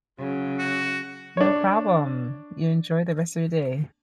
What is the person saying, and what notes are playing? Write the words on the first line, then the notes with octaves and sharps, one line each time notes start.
No problem, you enjoy the rest of your day.
C#3 F#3
F#4
D4 C#5